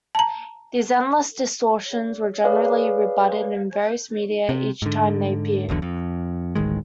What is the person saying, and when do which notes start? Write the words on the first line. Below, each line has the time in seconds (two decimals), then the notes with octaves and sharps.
These endless distortions were generally rebutted in various media each time they appeared.
0.15 A5 A#5
2.44 G#4 B4 C#5 D5 F5
4.49 C3
4.82 G#2 D3
5.69 E1 B1 E2 D3
5.82 F2
6.55 D1 A1 D#3 G#3